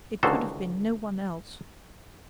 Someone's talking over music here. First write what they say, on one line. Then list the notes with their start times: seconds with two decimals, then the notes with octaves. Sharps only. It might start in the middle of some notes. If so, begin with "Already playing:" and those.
"It could have been no one else."
0.23 C#2 D3 D#3 F#4 A4 C5